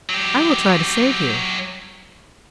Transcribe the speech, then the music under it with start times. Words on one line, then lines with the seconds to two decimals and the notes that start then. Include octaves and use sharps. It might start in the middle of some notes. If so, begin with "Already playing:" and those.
I will try to save you.
0.10 F#3 G4